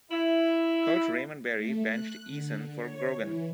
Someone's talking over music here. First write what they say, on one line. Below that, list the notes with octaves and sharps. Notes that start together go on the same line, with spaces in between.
Coach Raymond Berry benched Eason for Grogan.
E4
A3
F#6
D3
C#5
E3